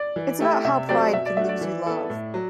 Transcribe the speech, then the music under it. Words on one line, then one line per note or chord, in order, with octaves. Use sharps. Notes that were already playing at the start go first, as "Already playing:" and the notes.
It's about how pride can lose you love.
Already playing: D5
E3
A3 E4 G4
C3 E5
F#3 A3 C4 G4 D5
B2 E5
D5
A3 D4 F#4 E5
D5
E3
B3 E4 A4
A2
F#3